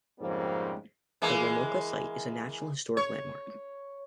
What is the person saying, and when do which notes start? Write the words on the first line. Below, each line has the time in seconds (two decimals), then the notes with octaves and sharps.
The Lamoka Site is a National Historic Landmark.
0.20 F2 G#2 C#3 G3 A#3 C4
1.22 E3 G#3 A#3
2.97 C#5